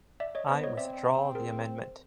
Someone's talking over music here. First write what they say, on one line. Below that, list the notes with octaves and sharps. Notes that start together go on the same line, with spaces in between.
I withdraw the amendment.
D5 E5
C#5 D#5
B3 C5 D5
C#5 D#5
C4 D5 E5
G#4 A#4